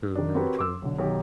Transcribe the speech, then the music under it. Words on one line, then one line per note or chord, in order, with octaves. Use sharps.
True, very true.
D#3 D4
C4 F#4 G4 A#4 B4 C#5
C6 D6 E6
B1 D3
B1 D#3 G4